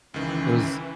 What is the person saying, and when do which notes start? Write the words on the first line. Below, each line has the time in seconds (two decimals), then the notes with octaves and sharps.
it was
0.14 C#2 D#3 E3 C#4